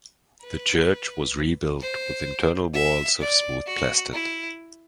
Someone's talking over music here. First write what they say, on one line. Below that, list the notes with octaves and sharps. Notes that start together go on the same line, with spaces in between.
The church was rebuilt with internal walls of smooth plastered.
B4
C5
E5
D5
F#4
E4